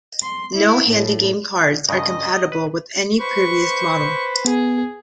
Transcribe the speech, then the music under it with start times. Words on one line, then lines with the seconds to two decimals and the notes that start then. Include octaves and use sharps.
No HandyGame carts are compatible with any previous model.
0.23 C6
0.55 E4
0.90 A2
1.89 G2 C#3 F3 D#5
2.52 B4
3.20 B4 C5 C#6
4.45 B3 G#4